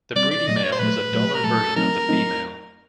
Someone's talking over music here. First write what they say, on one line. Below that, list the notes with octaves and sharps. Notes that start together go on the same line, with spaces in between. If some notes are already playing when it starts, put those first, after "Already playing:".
The breeding male is a duller version of the female.
B2 G3 C4 D5
D5
A#2 F#3 A3 D#5
D5
C#5
C5
A#2 F#3 A3 B4
A#2 F#3 A3
A#4
A#2 F#3 A3 A4
F#3 A3 C4 D#4 A#4
F#3 A3 C4 D#4